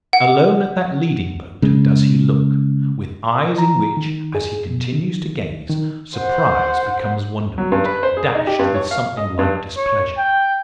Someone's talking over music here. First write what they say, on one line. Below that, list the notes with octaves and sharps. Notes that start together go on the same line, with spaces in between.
Alone at that leading boat does he look; with eyes in which, as he continues to gaze, surprise becomes wonderment, dashed with something like displeasure.
F#5
C#3 G#3
A#5
D#3
G#4
B2
D#3
D#3
C5 F#5
F#3
G2
B4
C5
G#4
D#4
G4
G2
C#5
F5
D#5
G2
C#5
G5